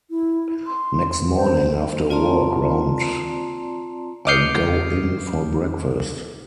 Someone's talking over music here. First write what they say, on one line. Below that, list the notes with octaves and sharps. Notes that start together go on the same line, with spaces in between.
Next morning after a walk round I go in for breakfast.
E4
C6
C5
C4 F4 D5 A5 A#5 C6
D6 D#6 F6 G6 C7 C#7